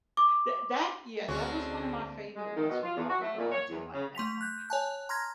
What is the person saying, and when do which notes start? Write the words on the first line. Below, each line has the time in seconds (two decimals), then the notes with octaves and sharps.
that that yeah, that was one of my favorite ones from long ago, I did like that one.
0.17 D6
1.28 D2 D3 G#3 C4 C#4 F#4
2.36 G#3
2.55 D#3
2.70 B2
2.83 F4
2.97 E2
3.09 F#4
3.22 A3
3.37 A#2
3.52 C#5
3.70 E2
3.93 C#3
4.15 A3 C6 B6 F7
4.41 F#6 G6
4.69 C#5 G#5 A5 F#6
5.09 A#5 C6 F6 G#6 A#6